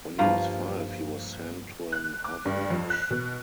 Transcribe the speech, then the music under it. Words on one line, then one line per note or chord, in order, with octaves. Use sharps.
When he was five he was sent to an orphanage.
G2 F3 A#3 F4
F#6
D6
G2
F2
F#6
B2